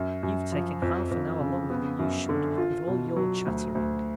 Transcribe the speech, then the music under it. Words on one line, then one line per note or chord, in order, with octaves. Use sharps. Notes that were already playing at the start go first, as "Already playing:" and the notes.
You've taken half an hour longer than you should with all your chattering.
Already playing: F#2
F#2
F3
F2
F2
C#3
B3
F#2
D3
F4
B2
F#3
D2
D2